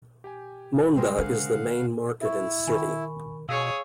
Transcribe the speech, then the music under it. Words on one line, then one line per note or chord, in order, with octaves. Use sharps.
Mondha is the main market in city.
G4 G5 G#5
C#3 G#3 C4 A#4 C5
D3 F5 F#5
E4 E5 C#6
D#3 G#5 B5 C#6
B2 G#4 C#5 F5 D#6 E6